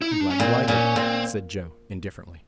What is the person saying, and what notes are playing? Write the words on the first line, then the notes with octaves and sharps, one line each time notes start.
"I am glad you like it," said Joe, indifferently.
E4
D#4
D4
C#4
A#2 C4
A#2 C#4
A#2 C4